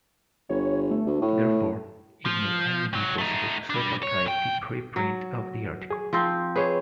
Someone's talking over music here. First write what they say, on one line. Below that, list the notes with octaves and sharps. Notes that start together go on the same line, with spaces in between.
Therefore it may only be possible to self-archive the pre-print of the article.
G1 C#5
A3
D2
A2
F3
C2 F#3
A3 D#4
G3 D4
C#5
B1 G5
F#3
G#4
F3 C4
G#4 B4 C#5 C6